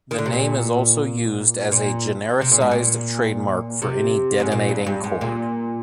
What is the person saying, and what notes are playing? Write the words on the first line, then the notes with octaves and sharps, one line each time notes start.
The name is also used as a genericized trademark for any detonating cord.
D#3
D3
C3
A#2
A#2
C3
A#2
G#2
A#2
C3
G#2
A#2
G2
G2
G#2
A#2